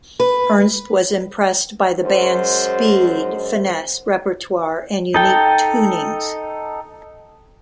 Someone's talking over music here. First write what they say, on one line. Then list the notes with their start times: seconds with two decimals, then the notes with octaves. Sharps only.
Ernst was impressed by the band's speed, finesse, repertoire and unique tunings.
0.20 B4
2.02 F#2 G#3 C5
5.14 D#4 A4 G5